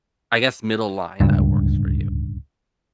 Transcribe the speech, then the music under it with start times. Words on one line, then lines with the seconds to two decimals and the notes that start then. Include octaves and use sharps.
I guess, middle line that works for you.
1.20 D1 C#2 G2